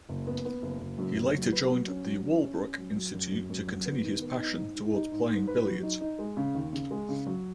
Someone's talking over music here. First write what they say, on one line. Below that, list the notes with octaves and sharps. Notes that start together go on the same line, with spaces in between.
He later joined the Walbrook Institute to continue his passion towards playing billiards.
F#1
B3
B3
F#1
F#1
F#2
F#1
F#3
B4
F#3
C#4
F#3
C#4
C#4
C#4
F#3
F#3
F#2
F#2
F#2
F#3
B3
D#3
B3
D#4
G#2
G#2
D#4
G#2
G#2
B4
F#3
D#4
D#4
G#3
C#3
D#2
C#3
G#3
C#3
F#3